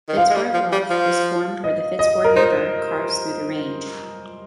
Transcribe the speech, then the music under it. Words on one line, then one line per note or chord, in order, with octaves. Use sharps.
Fitzroy Bluff is formed where the Fitzroy River carves through the range.
D#3
F3 F5
G#3
G3
F3
G3
F3
D#5
D#5
A#4
D#4 C5